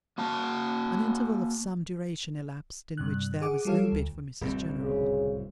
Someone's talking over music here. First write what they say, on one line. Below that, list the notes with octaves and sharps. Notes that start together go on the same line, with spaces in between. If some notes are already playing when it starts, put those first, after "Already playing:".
An interval of some duration elapsed, in which there was no bid for Mrs General.
A#3 F#4 A5
G2 C3 F#6
G#4 F#5 D6
G3 F4 G4 A4 C#5 F5
D2
D1 C2 C4
C#3